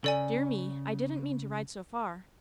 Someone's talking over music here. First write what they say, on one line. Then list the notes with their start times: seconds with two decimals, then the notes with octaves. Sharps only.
Dear me, I didn't mean to ride so far.
0.04 C#3 A4 D5 G#5